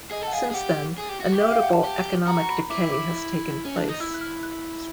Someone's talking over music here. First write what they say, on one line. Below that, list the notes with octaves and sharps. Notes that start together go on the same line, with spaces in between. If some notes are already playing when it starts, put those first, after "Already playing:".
Since then, a notable economic decay has taken place.
G#4 D#5
A4
F#5
G#4 F5
G#4
G4 F#5
G#4
G4
F#4
G4
E5
F5
F#5
A5
G4
F#4 A#5
A#5
B5
E4 D6
D6
C#4
D4
D#4
E4 E6
F#6
F6
F#6